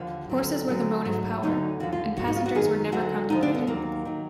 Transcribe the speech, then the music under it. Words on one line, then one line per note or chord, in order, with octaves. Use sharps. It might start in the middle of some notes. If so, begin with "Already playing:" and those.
Horses were the motive power, and passengers were never contemplated.
Already playing: D#2 D3 F3
D2 D3 F#3
D2 D3 F#3
G#2 F#3
D2 D3 F#3 D#4
D#2 D3 F3 F#4
F4
G#2 F3 F#4
D#4
F4
F#4
F#2 D#3 F#3 G#4
D2 D3 F#3 F#4
D2 D3 F3 D#4
D4
B3
D#2 D#3 F#3 A#3
D#3 F#3